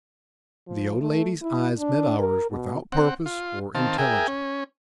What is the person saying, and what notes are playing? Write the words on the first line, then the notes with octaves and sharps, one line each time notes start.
The old lady's eyes met ours without purpose or intelligence.
F3
A3
E4
D4
A#4
B2
C4 F#5
F4
D#3 C4 F5 A5
G#4 A#4 E5 G5 G#5
C#4